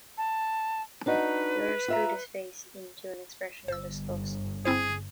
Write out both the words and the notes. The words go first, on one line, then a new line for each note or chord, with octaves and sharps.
The other screwed his face into an expression of disgust.
A5
D4 D#4 F#4 B4
F4 E5 A#5
G1 C5 E6
C4 E4 G#4 C5